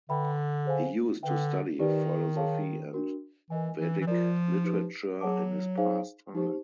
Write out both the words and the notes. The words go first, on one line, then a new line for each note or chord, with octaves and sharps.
He used to study Philosophy and Vedic literature in his past time.
D3 B4 E5 G5 B5
G#4 C5 F5 G#5
D3 B4 E5 G5
D#3 D#4 G4 B4 D5
G#4 C#5 F5 A5
D4 F#4 A#4
E3 A#4 D#5 G#5
E3
E3
F3 F4 A#4 D5
D#4 G4 B4
F#3 G#4 C#5 F#5 A5 D6
D#4 G#4 C5 F5 G#5
F3 D#4 G4 C5